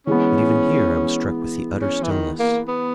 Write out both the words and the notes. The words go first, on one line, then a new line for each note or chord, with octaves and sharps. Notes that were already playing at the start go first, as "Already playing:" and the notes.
But even here I was struck with the utter stillness.
E3 G#3 B3 C#4
C#4
E3
D#3
A#3
B3